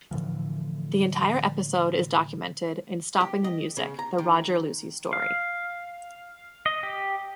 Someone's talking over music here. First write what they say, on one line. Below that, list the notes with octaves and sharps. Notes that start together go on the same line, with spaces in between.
The entire episode is documented in Stopping the Music: The Roger Lucey Story.
A2 D3 E3 F3
G4
D#5
C#3
A#5
D#3
F5
D#5
G4